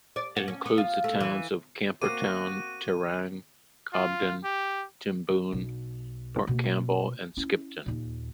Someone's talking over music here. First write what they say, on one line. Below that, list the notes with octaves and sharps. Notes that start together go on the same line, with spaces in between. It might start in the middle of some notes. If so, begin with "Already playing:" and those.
It includes the towns of Camperdown, Terang, Cobden, Timboon, Port Campbell and Skipton.
D5
F#4
C#4
B3
F4
A3
E3
A#3 C4 F#4 D6 D#7
F4
G4
B1
B2 A#3
C#4 E4
D#2 A#2